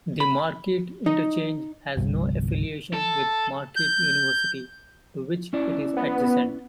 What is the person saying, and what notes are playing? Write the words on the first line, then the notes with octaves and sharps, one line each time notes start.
The Marquette Interchange has no affiliation with Marquette University, to which it is adjacent.
B5
D#4
G1 C2
A4
G6
C#4 E4 D5
B3